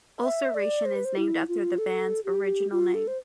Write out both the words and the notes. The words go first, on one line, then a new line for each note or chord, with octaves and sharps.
"Ulceration" is named after the band's original name.
E5
D5
C5
B4
C5
E4
F4
A4
G4
F4
A4
C5